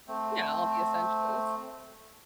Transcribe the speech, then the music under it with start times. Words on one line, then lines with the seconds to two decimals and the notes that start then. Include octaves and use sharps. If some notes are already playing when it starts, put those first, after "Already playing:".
Yeah, all the essentials.
0.08 A3 C4